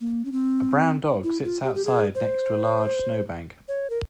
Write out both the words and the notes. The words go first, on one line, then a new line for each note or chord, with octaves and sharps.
A brown dog sits outside next to a large snowbank.
A#3
C#4
C4
E4
F4
G4
G4
G#4
C5
C#5
A#4